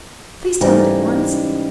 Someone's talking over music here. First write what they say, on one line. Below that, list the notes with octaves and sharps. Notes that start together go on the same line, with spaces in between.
'Please tell it at once.
G#2 C#3 E3 G3 D#4 G4